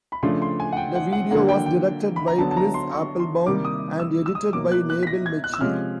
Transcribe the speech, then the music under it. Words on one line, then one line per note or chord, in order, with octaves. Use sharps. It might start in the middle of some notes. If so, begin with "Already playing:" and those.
The video was directed by Chris Applebaum and edited by Nabil Mechi.
B5
C#3 F3 A3 D4 C6
C6
G#5
F#5
G5
F#5
F#5
D3 F#3 A#3 D4 F#5
G5
G5
B5
A#5
D3 F#3 B3 A5
A5
A#5
C6
C#6
C6
C3 D#3 G3 A#3 D6
D#6
E6
E6
D#6
B2 F#3 A#3 D6
F#6
F#6
B6
A#6
G#6
F#6
E6
C3 F3 G#3 C#4 F6